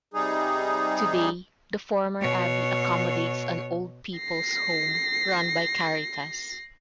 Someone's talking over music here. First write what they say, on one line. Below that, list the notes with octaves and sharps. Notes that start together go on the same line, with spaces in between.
Today the former abbey accommodates an old people's home run by Caritas.
C3 G3 D#4 G#4
B2 C#5
A#6 C7